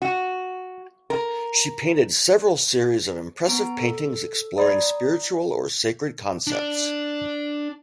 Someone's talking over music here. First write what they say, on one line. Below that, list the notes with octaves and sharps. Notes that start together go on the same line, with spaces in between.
She painted "several series of impressive paintings exploring spiritual or sacred concepts".
F#4
A#4
B3 A#5 D7
A4
D5 A#5 B5 D#6 G#6
D4 D5